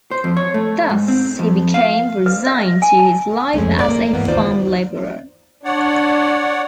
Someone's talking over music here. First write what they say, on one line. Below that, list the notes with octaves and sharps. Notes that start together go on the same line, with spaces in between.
Thus, he became resigned to his life as a farm laborer.
C5
F2
C#5
A3
G#2
C4
F2
F5
B4
E5
G#5
A5
F2 G#3 A3 C#4
D#4 B4 D5
A#3
G#2 E3 A#3 B3
D#2 D#4 F4 C5 D5
D4 C#5 D5 F#5